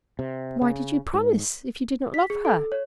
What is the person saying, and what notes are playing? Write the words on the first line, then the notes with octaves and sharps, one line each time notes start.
"Why did you promise if you do not love her?"
C3
C#3
G#2
B6
G#4
A4
C#5